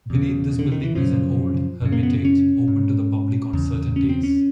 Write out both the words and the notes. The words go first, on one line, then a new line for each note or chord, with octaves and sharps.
Beneath this building is an old hermitage, open to the public on certain days.
E2 C#3
D3
D#3
E3
F#2 C#3 F3
F#2 C#3
A#3
B3
C#4
G#2
E2 C#3
C#4
C4
C#4